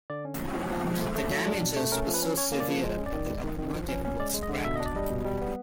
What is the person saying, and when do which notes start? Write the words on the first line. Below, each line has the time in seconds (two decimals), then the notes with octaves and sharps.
The damages were so severe that the locomotive was scrapped.
0.10 D3 D5
0.25 C#4
0.39 F3
0.55 F3 C#5
0.70 F3
0.85 G#3
1.00 A3 C5
1.15 A3
1.30 F#3
1.46 D4
1.61 B2
1.76 A3
1.92 C#4 A#4
2.07 F3
2.14 B4
2.22 C#4
2.37 C#4 C#5
2.52 A#3
2.60 D5
2.68 F3
2.83 G#3
2.97 C#4
3.06 D5
3.13 D#3
3.28 G#3
3.44 D#3
3.58 D#3
3.73 F3
3.88 C#4
4.05 C#4
4.19 G#3 D5
4.34 G#3
4.43 D#5
4.49 D3
4.64 B2 E5
4.76 D4 D#5
4.86 D5
4.96 G3 D#5
5.10 B2
5.25 G3
5.41 B3